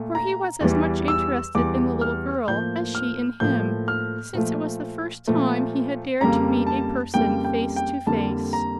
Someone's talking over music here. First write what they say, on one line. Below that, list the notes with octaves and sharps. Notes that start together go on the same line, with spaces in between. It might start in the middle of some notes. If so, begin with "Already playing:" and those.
For he was as much interested in the little girl as she in him, since it was the first time he had dared to meet a person face to face.
Already playing: A#2 A3
A#5
E2 E3 G3
E6
E2 E3 G3 D6
F6
A2 F3 A#3 G6
F6
A2 F3 A#3 G6
F6
A#2 F3 A3
A#2 F3 A3
F2 C#3 G3 A#3 A#5
A5
F2 C#3 G3 A#3 G5
G5
G5
F2 D3 G3 A#3 A5
A#5